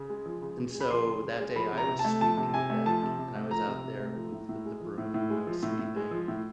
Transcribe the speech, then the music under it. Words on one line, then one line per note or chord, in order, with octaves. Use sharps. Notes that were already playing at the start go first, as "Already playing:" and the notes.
And so that day, I was sweeping the deck, and I was out there with with the broom, and I was sweeping.
Already playing: C#3
G#3
F3
C#3
C#3
G#3
B5
F3 C6
C#3
C#3
G#3
F3 B5
C3
A#5
C3
A5
A3
F3 A5
C3
C3 G#5
A3
F3 A5
C3
C3
A3
F3 A#5
C3
C3
A3
F3
A2
A2
G#3
F3
A2
A2
G#3
F3
A2
A2
G#3
F3
A2